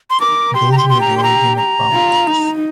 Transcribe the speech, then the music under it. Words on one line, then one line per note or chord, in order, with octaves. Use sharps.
Those were the origin of vampires.
C6
A#4 D6
G4 C6
A#5
C6
C6
A#5
C6
A#5
A#5
F4
D#4